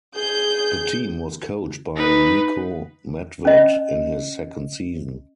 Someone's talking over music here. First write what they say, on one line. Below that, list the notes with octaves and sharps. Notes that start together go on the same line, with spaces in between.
The team was coached by Niko Medved in his second season.
G#4 G6
D#4 B4
C#4 D#5